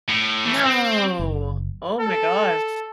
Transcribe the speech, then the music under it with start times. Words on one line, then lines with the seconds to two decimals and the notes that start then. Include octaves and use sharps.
No. Oh my gosh.
0.09 A2
0.46 E3 A3
0.65 C4
1.20 F#1
2.01 A4